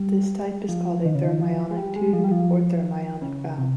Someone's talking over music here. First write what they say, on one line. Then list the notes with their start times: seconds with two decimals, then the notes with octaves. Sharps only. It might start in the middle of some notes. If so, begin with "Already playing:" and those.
This type is called a thermionic tube or thermionic valve.
Already playing: G3
0.69 F3
1.05 D#3
1.15 C#3
1.23 D#3
1.41 F3
1.71 G#3
1.77 G3
1.96 G#3
2.13 F3
2.24 G3
2.31 F3
3.22 C#3
3.58 C3